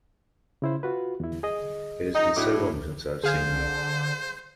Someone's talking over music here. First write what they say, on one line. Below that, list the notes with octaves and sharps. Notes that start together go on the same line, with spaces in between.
It has been so long since I have seen you!
C#3 E4 C5
F4 F#4 B4
E2 E4
G#4 D#5
D#4
A2 D4 F#4 D6
D3 G#4 C5 F5 G#5